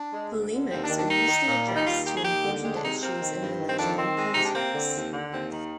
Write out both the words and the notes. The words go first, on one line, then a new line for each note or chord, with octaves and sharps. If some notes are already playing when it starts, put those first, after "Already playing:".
Polemics are usually addressed to important issues in religion and politics.
Already playing: D4
G#3
D2
D3
D#2 C4
D4
D#3
D4
D#2 D#4
D#3
A#2
G3
D#4
D#2 F4
D#3 G4
G#4
D#2 G4
D3
G#3 G4
D4
C3 D#4
A#3 C4
D#3
G2
D#3
C4
F2 D4
D#3 C4
G#3
C3 D#4
D4
A#3 C4
D3
D#2
D3
D#2 C4
D#3